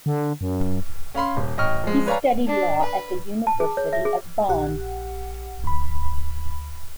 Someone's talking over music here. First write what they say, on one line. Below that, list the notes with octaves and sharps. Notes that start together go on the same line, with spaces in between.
He studied law at the University of Bonn.
D3
F#2
C#4 F5 B5 C6
D#1
A1 D#5 G5 C#6 F6
F3 G#3
B4 C#5 D5 F5 G#5 A#5
D4
B4
A5
G#4
C#5
E5
G#4
A#1 G4 F#5
D2 B5